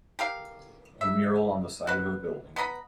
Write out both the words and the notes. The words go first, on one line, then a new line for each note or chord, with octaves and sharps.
A mural on the side of a building.
G4 A#4 F5
E5
F#4 B4
B3 D#5 A#5 B5